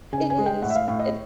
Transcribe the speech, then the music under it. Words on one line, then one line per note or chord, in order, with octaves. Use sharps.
It is, and
C#3 G#5
G#5
G#3
G5
A2 F#5
E5
F5
A2 F5
D#5